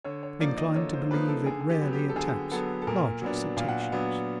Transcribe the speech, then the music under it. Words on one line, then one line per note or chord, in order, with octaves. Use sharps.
Inclined to believe it rarely attacks larger cetaceans.
D3 C#5
C#5
F3 A#3 D#4 D5
D#5
D3 C#5
C5
F3 A#3 D#4 B4
A4
D3 G#4
G#4
G4
F#3 B3
G4
A4
D3 G#4
F#3 B3 A4
A4
A#2 A#4
F#3 B3 D4
A#2 F5
F#5
F5
F#3 B3 D4